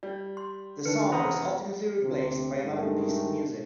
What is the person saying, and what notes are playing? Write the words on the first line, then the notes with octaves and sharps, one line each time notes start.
The song was ultimately replaced by another piece of music.
G3 D5
C6
D3 D#3 D4 B4 C#7
E1 B3 C5 F#5 A#5 D#6
D2 C3
G2 D#3 G#3 A3